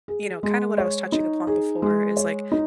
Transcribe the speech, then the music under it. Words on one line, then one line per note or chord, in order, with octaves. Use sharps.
you know, kinda what I was touching upon before is, like,
G#4
G#3
C#5
D#4
G#4
G#3
C#5
D#4